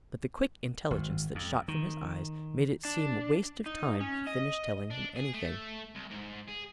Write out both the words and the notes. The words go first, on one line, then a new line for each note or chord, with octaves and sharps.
But the quick intelligence that shot from his eyes made it seem waste of time to finish telling him anything.
G#1
F2
D#3
D4
D#4
C#4
D#5
D4
G#4
A3
C2
G#2
G#4